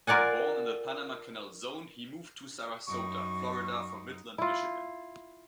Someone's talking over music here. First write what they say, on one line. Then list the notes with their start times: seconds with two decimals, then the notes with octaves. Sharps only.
Born in the Panama Canal Zone, he moved to Sarasota, Florida from Midland, Michigan.
0.07 F4 A#4 D5 F#5 G#5
2.87 F#2 D#4 C#6
4.38 E4 F4